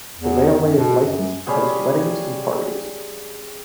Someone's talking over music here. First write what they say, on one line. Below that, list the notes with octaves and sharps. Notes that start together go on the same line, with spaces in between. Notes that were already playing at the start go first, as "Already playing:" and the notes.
The railway is licensed to host weddings and parties.
E2
F#2
B2
F#2
G3 C#4 G#4